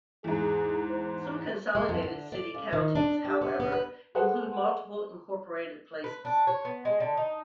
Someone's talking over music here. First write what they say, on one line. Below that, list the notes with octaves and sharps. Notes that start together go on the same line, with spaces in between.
Some consolidated city-counties, however, include multiple incorporated places.
E2 G#2 G#4
C5
G#3
F2
D3
D5
C#3
D#3
D4
G4
B3
B3
B4
G#4 A4 B4 C5 F#5
B4
D4
C#5
B3
G#3
D3
D#4